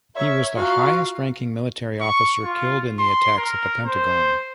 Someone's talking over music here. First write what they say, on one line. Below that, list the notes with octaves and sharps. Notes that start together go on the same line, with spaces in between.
He was the highest-ranking military officer killed in the attacks at the Pentagon.
A#4 C#5 E5
F4 F#4 F5 A#5
C#6
F4
C6
A#4
C5